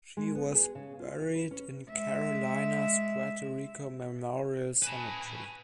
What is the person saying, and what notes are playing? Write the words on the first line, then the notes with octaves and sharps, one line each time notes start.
She was buried in Carolina's Puerto Rico Memorial Cemetery.
G#3
B3
G#4
C#3
F4
C#5
B4
C#4
G#3 E5
B4 G#5 A5 B5